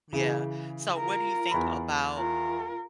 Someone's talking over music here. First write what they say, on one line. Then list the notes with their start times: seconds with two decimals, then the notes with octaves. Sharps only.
Yeah. So, what do you think about,
0.13 C#3 E3
0.97 F4 A#4
1.51 E2 A#5 B5
2.18 F4 A#4